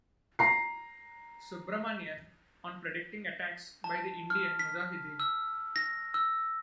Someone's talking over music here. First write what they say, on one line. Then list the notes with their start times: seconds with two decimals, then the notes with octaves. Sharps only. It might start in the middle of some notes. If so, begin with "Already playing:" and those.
Subrahmanian on predicting attacks by the Indian Mujahideen.
0.39 A#5 C7
3.84 A5
4.30 F6
4.59 B6
5.20 E6
5.76 A#6
6.14 E6